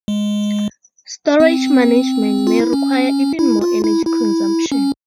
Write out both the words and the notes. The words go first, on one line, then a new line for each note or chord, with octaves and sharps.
Storage management may require even more energy consumption.
G#3
C4
F4
E4
C#4
E4
F4
E4
E4
C#4